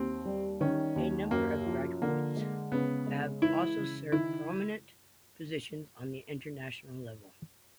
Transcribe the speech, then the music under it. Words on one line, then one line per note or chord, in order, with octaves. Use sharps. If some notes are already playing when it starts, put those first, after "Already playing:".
A number of graduates have also served prominent positions on the international level.
Already playing: D#2 C4
G3
D#3 C#4
D#2
F#2 A#3
F3
D3 A#3
G#3
C#3 B3
G#3
E3 E4
C#3
D#3 E4